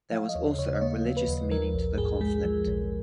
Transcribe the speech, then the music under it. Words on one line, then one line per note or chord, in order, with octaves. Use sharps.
There was also a religious meaning to the conflict.
F3 F5
D#5
D#2 C#5
C#3 C#5
D#5
A#3 C#5
F3
B4
D#2
F3 A#4
A#1
G#2 G#4
G#3 G#4
F3
A#1